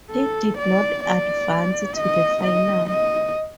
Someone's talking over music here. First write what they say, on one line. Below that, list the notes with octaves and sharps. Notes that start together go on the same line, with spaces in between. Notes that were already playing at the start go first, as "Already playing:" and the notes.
He did not advance to the final.
A4
D5
D5
D#5
D#5
D#5